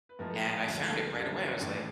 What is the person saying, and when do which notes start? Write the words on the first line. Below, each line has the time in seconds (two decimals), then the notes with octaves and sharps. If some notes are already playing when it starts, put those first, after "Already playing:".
and I found it right away. I was like,
0.09 B4
0.19 A2 F3 G#3 A#4
0.30 A4
0.43 G#4
0.55 G#4
0.66 D2 D3 F3 G#3
0.90 A4
1.14 F#2 D3 G3 A4
1.61 A2 E3 G#3 D5